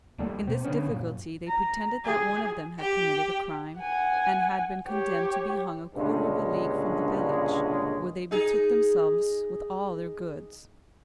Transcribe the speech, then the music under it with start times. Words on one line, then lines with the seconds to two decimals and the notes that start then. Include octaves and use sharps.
In this difficulty, they pretended that one of them had committed a crime, and had been condemned to be hung a quarter of a league from the village, where they betook themselves with all their goods.
0.18 D#2 G3 A3
0.47 B2 C4
0.65 D3 B3 C#4
0.87 F#2 A#2
1.47 A#5
2.04 G#4
2.79 G4
3.78 F#5 G#5
4.88 G4 C#5
5.95 C#2 G2 A#2 D3 G#3 C#4
8.31 D#4 G#4